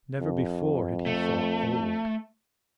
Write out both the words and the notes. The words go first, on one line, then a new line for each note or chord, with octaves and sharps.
Never before had he thought old.
F2
A3